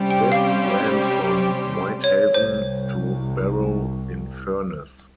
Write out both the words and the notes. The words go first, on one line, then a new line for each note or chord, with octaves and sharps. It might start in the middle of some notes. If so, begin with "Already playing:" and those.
This ran from Whitehaven to Barrow in Furness.
Already playing: C3 G3 C#4 G4 C5
G5
F5
C#5
C2 C5